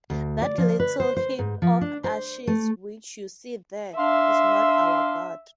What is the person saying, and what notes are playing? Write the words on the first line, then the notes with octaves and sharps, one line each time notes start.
That little heap of ashes which you see there is not our god.
D2
D5
F3
B4
C5
C5
G#2
F3
D4
C5
A3
D4 E5 F5 C6